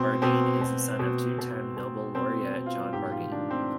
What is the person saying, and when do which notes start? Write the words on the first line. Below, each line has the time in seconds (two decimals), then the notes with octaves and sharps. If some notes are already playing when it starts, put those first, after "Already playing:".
Bardeen is the son of two-time Nobel Laureate John Bardeen.
Already playing: B2 C4
0.22 B2 C4
0.61 B2
0.99 B2
1.38 B2
1.77 B2
2.15 B2 C4
2.54 B2
2.66 F4
2.93 G#2 G4
3.11 F4
3.31 D#3 D4
3.50 C4